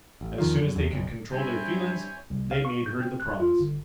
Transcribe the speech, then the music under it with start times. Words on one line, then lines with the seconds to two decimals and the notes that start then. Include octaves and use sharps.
As soon as they could control their feelings they made her the promise.
0.21 A1
0.38 E2 D#3 F3
0.61 F#2
0.76 E2
0.91 F#1 B1
1.32 G2 C4 E4 C#5 G#5 G6
2.30 C2
2.51 F5
2.65 C#6
2.86 G6
3.00 C4
3.20 F#6
3.40 F4
3.59 G1